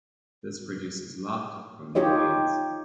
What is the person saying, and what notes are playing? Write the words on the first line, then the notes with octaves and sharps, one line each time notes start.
This produces laughter from the audience.
D#4 F4 G4 C#5 D#5